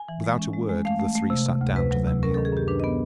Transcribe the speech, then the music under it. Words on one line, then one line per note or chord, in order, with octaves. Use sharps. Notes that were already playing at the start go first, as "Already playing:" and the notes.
Without a word the three sat down to their meal.
Already playing: G#5
E3
G#3
C#4
G#3
G#3
A3 F5
A3
A3
C3
C3
D2
C3 B4
F#3
C3
C#4 A#4
D#3 A4
G#4
F#2 G4
D4 B4
B3 D#5